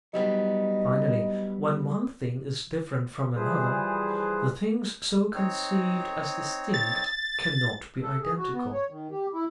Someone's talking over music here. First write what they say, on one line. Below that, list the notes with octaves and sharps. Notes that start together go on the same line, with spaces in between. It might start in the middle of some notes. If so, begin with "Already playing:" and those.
Finally, when one thing is different from another, the things so conceived as distinct cannot be identical.
F#3 G3 B3 D#4
E3 F3 G3 G#4 B4 C5
C4 D#4 C#5
A6
A4
G#4
F#4
B3
C#5
D#3
G4
E4